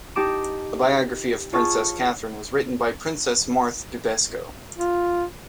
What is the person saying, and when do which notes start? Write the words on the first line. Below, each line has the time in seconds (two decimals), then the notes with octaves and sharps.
A biography of Princess Catherine was written by Princess Marthe Bibesco.
0.15 D#4 G4 A5 D6 E7
1.53 F4 G#4 C#5 A5 C#6
4.78 F4